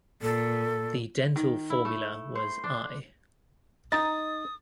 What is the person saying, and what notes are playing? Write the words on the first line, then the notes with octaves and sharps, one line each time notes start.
The dental formula was i.
A#2 A4
D#3
E4
A3
C5
D4
D#4 D#5 D#6 A6